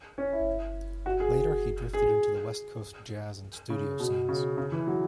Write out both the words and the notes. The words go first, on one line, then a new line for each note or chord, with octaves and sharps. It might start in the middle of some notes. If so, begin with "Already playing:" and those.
Later, he drifted into the "West Coast Jazz" and studio scenes.
C#4
E4
F#4
G#4
G#4
C#3
B2
C#3
C#3
E3
F#3